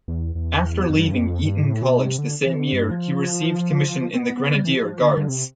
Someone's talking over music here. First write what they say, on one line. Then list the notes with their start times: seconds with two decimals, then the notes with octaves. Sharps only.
After leaving Eton College the same year, he received commission in the Grenadier Guards.
0.08 E2
0.35 E2
0.90 F2
0.98 G2
1.06 F2
1.12 G2
1.18 F2
1.45 G2
1.63 A2
1.82 B2
2.00 C3
2.18 D3
2.46 E3
2.55 D3
2.73 G2
2.91 F3
4.14 C4
4.19 B3
4.37 B3
4.55 G3
4.65 E3
4.74 F3
5.02 D3
5.18 D3
5.29 C3